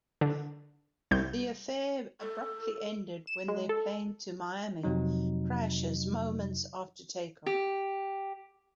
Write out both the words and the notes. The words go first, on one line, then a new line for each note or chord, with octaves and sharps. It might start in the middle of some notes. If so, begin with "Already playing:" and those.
The affair abruptly ended when their plane to Miami crashes moments after take off.
D3
C2 G6
A4
E7
G#3
A4
F2 C3 F#3 D#4
G4